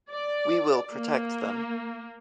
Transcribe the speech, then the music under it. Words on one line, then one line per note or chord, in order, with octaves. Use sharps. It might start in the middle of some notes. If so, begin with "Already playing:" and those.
We will protect them.
D5
A#3